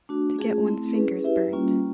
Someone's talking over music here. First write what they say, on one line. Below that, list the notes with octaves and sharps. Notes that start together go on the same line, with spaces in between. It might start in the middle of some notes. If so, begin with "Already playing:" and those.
To get one’s fingers burnt.
A3 D4 F#4
A3 C#4 F4 G#4
A3 C4 E4
C#4 E4 G#4 B4
E4 G4 B4 E5
G3 A#3 C#4 F4